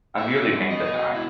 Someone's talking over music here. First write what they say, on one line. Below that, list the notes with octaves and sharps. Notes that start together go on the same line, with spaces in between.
I merely named the time.
B2 E5
B2
G3
B3 D#5
B2
B2
E4